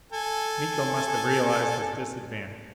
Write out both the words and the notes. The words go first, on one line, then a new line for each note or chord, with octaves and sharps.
Miko must have realized his disadvantage.
A4 G#5